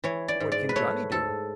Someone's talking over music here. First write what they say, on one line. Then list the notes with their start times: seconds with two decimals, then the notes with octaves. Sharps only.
"What can Johnny do?"
0.04 E3 C#5
0.28 D5
0.40 G#2
0.52 D5
0.69 B4
0.76 A3 C#5
1.12 G#2 A4